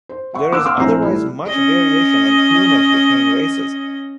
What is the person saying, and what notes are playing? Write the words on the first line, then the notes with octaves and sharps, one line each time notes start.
There is otherwise much variation in plumage between races.
C5
E5 F#5 C#6
A#3 D6 E6 F#6 E7
F5 F#5 C6 D6 E6 F6
A#1 A2 C4 D4 A#5 C7
G3 A3 E4
C#4 D#5